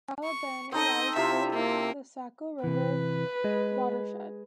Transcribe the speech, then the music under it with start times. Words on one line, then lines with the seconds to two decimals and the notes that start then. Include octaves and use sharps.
Albany lies fully within the Saco River watershed.
0.24 C#6
0.72 C4 D#4 A4 D#5
1.16 C3 E4 F4 E5
1.53 A#3
2.64 C3 E3 B4
3.44 G#3 G#4 D#5